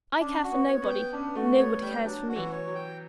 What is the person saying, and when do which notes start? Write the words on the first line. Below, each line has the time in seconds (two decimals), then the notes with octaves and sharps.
'I care for nobody-- Nobody cares for me.'
0.20 C#4 D4
0.44 F#4
0.51 B3
0.67 C#5
0.82 B3
0.89 G5
1.12 C#4 D4
1.35 A3 F#4
1.58 A3 C#5
1.82 G3 G5
2.05 F#3 D4
2.29 F#4
2.35 E3
2.52 C#5
2.67 F#3
2.75 G5